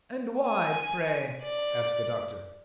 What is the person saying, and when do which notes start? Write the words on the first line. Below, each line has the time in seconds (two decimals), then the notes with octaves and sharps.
"And why, pray?" asked the Doctor.
0.47 G#5
1.42 D5